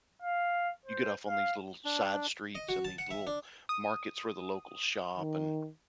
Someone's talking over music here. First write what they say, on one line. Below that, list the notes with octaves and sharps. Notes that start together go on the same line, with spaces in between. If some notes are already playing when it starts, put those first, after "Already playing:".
you get off on these little side streets and these little markets where the locals shop, and
F5
C5
F5
D4
D#5
F#4
A5
F#5
E5
D4
D#6
D#3